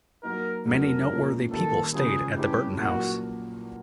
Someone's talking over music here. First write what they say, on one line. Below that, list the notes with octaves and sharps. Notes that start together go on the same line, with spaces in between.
Many noteworthy people stayed at the Burton House.
F#3 A#3 D#4 A#4
F2 C#3 F#3 A3 A#4
A#2 F3 G#3 C#4
G2 D#3 G3 A#3 A4
C#3 F3 G#3 C#4 G#4
G2 E3 G#3 C#4 E4 G4
A#2 F#3 A#3 F#4